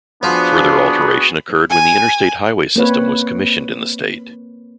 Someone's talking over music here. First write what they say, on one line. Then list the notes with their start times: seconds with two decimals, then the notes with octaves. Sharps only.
Further alteration occurred when the Interstate Highway System was commissioned in the state.
0.23 F3 B3 D4 F#4 G#4
1.70 G#5
2.76 A#3 C4 B4 C#5